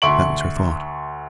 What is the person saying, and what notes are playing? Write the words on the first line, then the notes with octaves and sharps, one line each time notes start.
That was her thought.
D2 E5 C6 C#6 D7 F#7